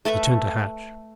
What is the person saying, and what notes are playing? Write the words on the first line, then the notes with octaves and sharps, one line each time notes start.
He turned to Hatch.
A3 A4 B4 E5